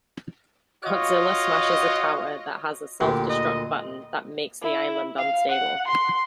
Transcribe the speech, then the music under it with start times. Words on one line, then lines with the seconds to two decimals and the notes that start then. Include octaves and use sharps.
Godzilla smashes a tower that has a self-destruct button that makes the island unstable.
0.84 F4 F#4 C#5 D#5
3.01 D2 A#2 G4
3.30 D#5
4.62 E4
5.18 F5
5.49 F#5
5.87 C6